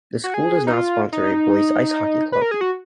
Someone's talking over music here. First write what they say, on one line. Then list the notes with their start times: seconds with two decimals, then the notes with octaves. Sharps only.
The school does not sponsor a boys ice hockey club.
0.24 F#4
0.34 G#4
0.67 D#4
0.73 F4
1.12 D#4
2.32 B4
2.41 A#4
2.51 G#4
2.61 F#4